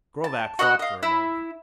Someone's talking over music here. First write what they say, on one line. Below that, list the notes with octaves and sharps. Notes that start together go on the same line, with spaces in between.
Krovac thought for a moment.
A5
F#4 D#5 E5 F#5
D#5 F5
E4